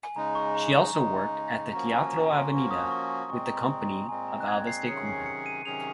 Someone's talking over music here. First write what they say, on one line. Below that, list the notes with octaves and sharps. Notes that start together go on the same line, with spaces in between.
She also worked at the "Teatro Avenida" with the company of Alves da Cunha.
G#5
C#3 G#3 D#4 A#5
C#6
A#5
A#5
C#3 G#3 D#4 A#5
F3 A#3 C#4 F#4 A#5
G#5
A#5
C6
F3 A#3 C#4 F#4 C#6
D#6
C#6
C#6
A#2 G#3 C4 C#6
A#5
C6
A#5
A#2 G#3 C4 G#5
A#5
F#6
G#6
C7
C3 D#3 F#3 C#4 G#4 C#7
C7
C#7
D#7
C3 D#3 F#3 C#4 G#4 F7